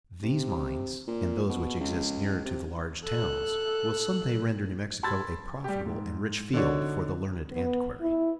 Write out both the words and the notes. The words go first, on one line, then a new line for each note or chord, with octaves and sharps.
These mines, and those which exist nearer to the large towns, will some day render New Mexico a profitable and rich field for the learned antiquary.
C3
A#2
B2
C#2
C3
A4 F#6
A5 B5 C6 E6 G#6 A6
G3 G4
G#2
D3 D4 D#4 F#4 C#5 D5
B3
E4